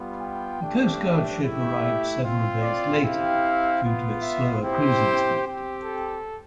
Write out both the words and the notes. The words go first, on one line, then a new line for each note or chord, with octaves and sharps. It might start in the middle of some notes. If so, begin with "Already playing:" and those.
The coast guard ship arrived several days later, due to its slower cruising speed.
Already playing: G3 B3 F4
G5
A3 D4 G4
E5
A3 E4 G4 E5
C4 F4
D5
C4 E4 G4 F5
B3 F4
E5
C4 E4 G4 C5
C4 G4
A4